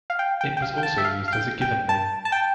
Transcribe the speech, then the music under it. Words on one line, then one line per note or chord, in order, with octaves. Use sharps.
It was also used as a given name.
F5
G5
G5
G5
F5
G5
A5
E5
F5
F5
G5
G5
A5
A5
G5